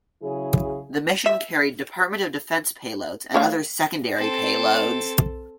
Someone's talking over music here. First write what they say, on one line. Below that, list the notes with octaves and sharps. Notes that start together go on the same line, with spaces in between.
The mission carried Department of Defense payloads and other secondary payloads.
C#3 F#3 E4 G#4
E5
A3 C#5 F5
C4 A4